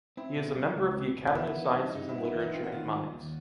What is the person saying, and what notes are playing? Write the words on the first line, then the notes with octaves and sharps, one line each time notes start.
He is a member of the „Academy of Sciences and Literature“ in Mainz.
C4 E4
B2
G3
C#2
C4
B2
B3 E4
E3
D#4
G3
G2 D#4
E4
B3
E4
E3
D#4
C4 F4
F#4
D#3 F4
G3
D#2